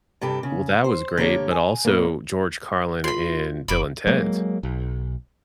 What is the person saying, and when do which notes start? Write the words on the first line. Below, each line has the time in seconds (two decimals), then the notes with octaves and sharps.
Well, that was great, but also George Carlin in Bill and Ted's.
0.21 G2 C3 G4 A4
0.43 C#3
0.84 C5
1.17 D3 A#3 G4 C#5
1.51 G#5
1.85 F#2 A#2 A#3 B3
3.04 F4 B5 C6
3.68 F#1 B5 C#6 D6
4.07 F#3 G#3 A#3
4.63 B1